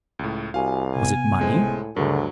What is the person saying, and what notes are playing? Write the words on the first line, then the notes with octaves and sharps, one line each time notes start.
Was it money?
C#2 A2
C2 F#4 F5 G#5
C3 B3 G#5
C#2 A2 G#3 C5
D2 G2 C#3 F#3 G#4 A#4